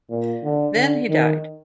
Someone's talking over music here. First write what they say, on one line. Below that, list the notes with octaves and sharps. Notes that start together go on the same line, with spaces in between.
Then he died.
A#2
D3
D3
D#3